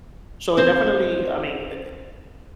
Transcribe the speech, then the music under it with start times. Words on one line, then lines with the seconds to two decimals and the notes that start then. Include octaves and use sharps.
So I definitely, I mean e e
0.57 C4 C5